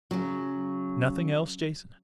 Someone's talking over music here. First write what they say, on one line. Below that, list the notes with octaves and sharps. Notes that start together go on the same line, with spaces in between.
"Nothing else, Jason?"
C#3 F#3